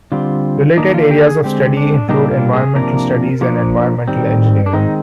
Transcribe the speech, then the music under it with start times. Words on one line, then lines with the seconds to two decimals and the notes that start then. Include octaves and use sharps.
Related areas of study include environmental studies and environmental engineering.
0.12 D3 G3 C4 F4
0.77 D#3 A#3 D4 D#4
0.94 F4
1.11 G4
1.27 G#4
1.43 D3 G#3 C4 G4
1.77 D4
2.09 A#2 G3 A#3 D4 D#4
2.31 F4
2.53 G#4
2.75 C3 F3 A#3 D4 A#4
3.41 F3 A#3 D4
4.08 D#3 G3 C4
4.66 D4
4.73 D#3 G#3 C4 D#4